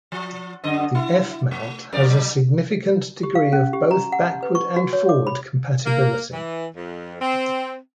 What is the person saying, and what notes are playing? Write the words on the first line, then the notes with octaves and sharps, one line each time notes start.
The F-mount has a significant degree of both backward and forward compatibility.
F3
F#2 D3 D#5
E4
A3
F2 A#4 D5
F#3
G4
F5
C#4
G4
A#5
F#5
B4
C#6
F#4
C#5
D6
B5
A#3
E3
F2
C4